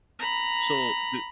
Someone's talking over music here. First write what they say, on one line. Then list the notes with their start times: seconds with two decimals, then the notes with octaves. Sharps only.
so the
0.19 A#5 B5